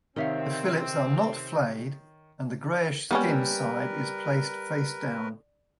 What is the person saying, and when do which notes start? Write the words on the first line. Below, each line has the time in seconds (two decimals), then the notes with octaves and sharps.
The fillets are not flayed, and the grayish skin side is placed faced down.
0.16 C3 D#3 C4 D#4 A#4 C#5 E5 F5
3.11 G3 A#3 B3 C#4 A#4 B4